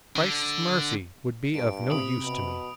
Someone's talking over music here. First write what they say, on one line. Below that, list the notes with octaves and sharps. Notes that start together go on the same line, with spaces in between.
Christ's mercy would be of no use to me.
D3
G2 D7
C3 B5 D#6 D7
B2